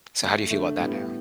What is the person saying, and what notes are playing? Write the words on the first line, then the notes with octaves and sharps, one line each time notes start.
So how do you feel about that now?
D3 A3 D4
D3 A3 D4
A2 G3 B3